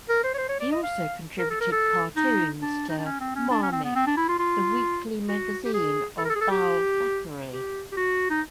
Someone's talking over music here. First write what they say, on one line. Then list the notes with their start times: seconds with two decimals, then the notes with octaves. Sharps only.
He also contributed cartoons to "Marmik", the weekly magazine of Bal Thackeray.
0.09 A#4
0.24 C5
0.34 C#5
0.38 C5
0.49 C#5
0.60 D5
0.72 D#5
0.83 F5
1.39 A#4
1.51 A4
1.60 A#4
1.72 A4
2.16 D#4
2.62 D4
2.89 D#4
2.98 D4
3.05 C#4
3.20 C4
3.36 C#4
3.51 D4
3.62 C#4
3.72 C4
3.84 B3
3.96 C4
4.07 D4
4.17 E4
4.28 F4
4.39 F4
5.28 F#4
5.65 G4
5.74 G#4
6.18 A4
6.25 A#4
6.30 A4
6.35 G#4
6.41 A4
6.51 G4
7.52 G4
7.92 G4
7.97 F#4
8.30 D#4